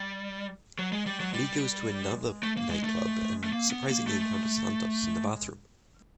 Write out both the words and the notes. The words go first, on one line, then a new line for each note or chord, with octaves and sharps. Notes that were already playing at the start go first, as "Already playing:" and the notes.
Lee goes to another nightclub and surprisingly encounters Santos in the bathroom.
Already playing: G3
F#3
G#3
G3
F#3
G3
A3
A#3
G#3
A3
A3
A#3
B3
A#3
A3